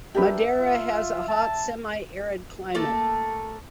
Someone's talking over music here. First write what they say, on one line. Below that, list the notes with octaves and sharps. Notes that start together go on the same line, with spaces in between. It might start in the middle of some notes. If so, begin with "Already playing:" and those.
Madera has a hot semi-arid climate.
D4 G4 A#4 B4 E5
F4
A5
A3 A#3 A4 A5